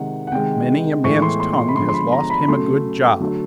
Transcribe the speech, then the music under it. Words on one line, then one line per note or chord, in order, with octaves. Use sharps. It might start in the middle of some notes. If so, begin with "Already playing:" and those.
"Many a man's tongue has lost him a good job."
Already playing: C3 D#3 G#3 F#5
F#5
C3 D#3 G#3 G5
A2 E3 G#3 C#6
C6
C6
C6
B5
D3 F3 G#3 C6
C6
B5
A#5
B5
C#3 F#3 A3 C6
D3 F#3 A3